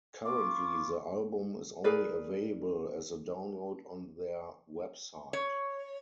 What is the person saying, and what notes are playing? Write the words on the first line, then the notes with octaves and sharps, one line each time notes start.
Currently the album is only available as a download on their website.
F4 C#6 D6
G#4 A#4 B4 D5
C#5